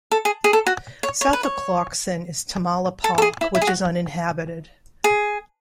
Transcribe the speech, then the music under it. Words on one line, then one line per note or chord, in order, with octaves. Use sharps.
South of Clarkson is Tamala Park, which is uninhabited.
A4
G#4
G#4
A4
F#4
C#5
C#5
B4
C#5
A4
A4
G#4
E4
E4
G#4
F#4
G#4